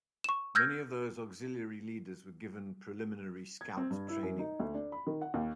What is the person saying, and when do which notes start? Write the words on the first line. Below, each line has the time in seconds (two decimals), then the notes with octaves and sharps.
Many of those auxiliary leaders were given preliminary Scout training.
0.24 C#6 E7
0.55 E6 F6 G6 G#6 A#6
3.61 G#6
3.77 C4
3.90 G2
4.08 E4
4.23 F#2
4.39 D#4
4.60 D2
4.74 D4
4.92 B5
5.07 D#3
5.21 F#5
5.34 D#2